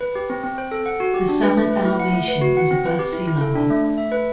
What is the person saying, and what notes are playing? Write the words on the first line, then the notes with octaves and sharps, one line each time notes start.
The summit elevation is above sea-level.
B4
G4
C4
C4
C5
A4
F#5
F#4
G4
D4
B4
A3
B4
E4
F#5
A3
B4
F#4
F#5
C4
B4
G4
E4
E4
A4
D4
A3
A3
E5
B4